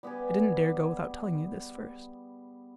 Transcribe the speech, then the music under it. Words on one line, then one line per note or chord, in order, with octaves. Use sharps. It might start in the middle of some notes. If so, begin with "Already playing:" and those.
I didn't dare go without telling you this first.
G3 B3 G4 G#4